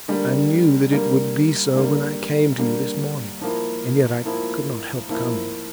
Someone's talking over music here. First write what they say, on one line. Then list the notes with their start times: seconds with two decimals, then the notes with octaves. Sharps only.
I knew that it would be so when I came to you this morning; and yet I could not help coming.
0.08 D3 G3 A#3
0.91 D3 G3 A#3
1.74 D3 G3 A#3
2.58 D3 G3 A#3
3.41 F3 A#3 E4
4.25 F3 A#3 E4
5.10 F3 A#3 E4